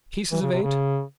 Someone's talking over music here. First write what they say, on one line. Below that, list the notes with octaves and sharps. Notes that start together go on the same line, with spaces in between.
Pieces of eight!
E3
C#3
C3
C#3